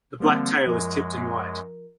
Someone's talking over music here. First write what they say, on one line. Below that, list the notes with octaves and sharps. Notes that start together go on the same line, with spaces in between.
The black tail is tipped in white.
D3 F3 G3 A#3 C4
F#2 F3 G#3 A#4